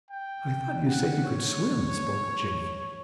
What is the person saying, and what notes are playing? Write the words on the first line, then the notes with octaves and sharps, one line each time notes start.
"I thought you said you could swim," spoke Jimmie.
G5
F#5
C#5